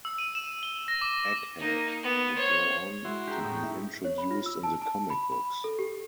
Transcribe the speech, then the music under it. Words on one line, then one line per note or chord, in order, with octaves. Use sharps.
Egghead would go on to be introduced in the comic books.
E6
D#7
E7
G7
A#6
D6
A#3 D#4
B3
C5 C#5
G#3 E4 F#4 C6
D4 G4 G#4 G5 A#5
A2 C#6 D#6
F#3 C#4 D#4 E4 E5
C#5
B5
F4
E6
A5
A5
B5
B5
A4
G4